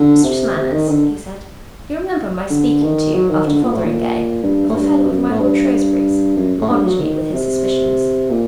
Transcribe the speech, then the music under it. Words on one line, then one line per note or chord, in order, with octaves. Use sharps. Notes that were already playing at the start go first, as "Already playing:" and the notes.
"Mistress Manners," he said, "you remember my speaking to you after Fotheringay, of a fellow of my lord Shrewsbury's who honoured me with his suspicions?"
Already playing: D3
C3
C3
D#3
D3
D3
D#3
F#3
D#3
D3
A#2
A2
A#2
G2
A2
G2
F#2
A2
G2
F#2
A2
G2
F#3
D#3
C3
A#2